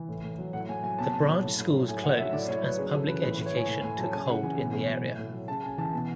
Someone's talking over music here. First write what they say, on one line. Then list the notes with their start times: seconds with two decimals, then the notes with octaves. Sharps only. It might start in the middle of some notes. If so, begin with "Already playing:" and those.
The branch schools closed as public education took hold in the area.
Already playing: E3
0.09 A2
0.23 A2
0.38 F#3
0.53 A2 F#5
0.69 A2 G#5
0.83 F#3 G#5
0.98 B2 A5
1.13 B2
1.28 F#3
1.43 A2
1.58 A2
1.73 F#3
1.88 A2 G#5
2.03 A2 F#5
2.18 F#3 E5
2.33 A2 D5
2.48 A2 C#5
2.63 F#3 B4
2.78 C#3 G#4
2.93 C#3 A4
3.08 E3 B4
3.23 A2 B4
3.34 B4
3.39 A2
3.46 C#5
3.54 E3 G#5
3.68 A2 G#5
3.83 A2 G#5
3.99 F#3 A5
4.13 C#3 G#5
4.28 C#3 F#5
4.43 E3 G#5
4.59 B2
4.73 B2
4.88 F#3
5.03 A2
5.18 A2
5.33 F#3
5.48 C#3 A5
5.63 C#3 G#5
5.78 E3 A5
5.93 B2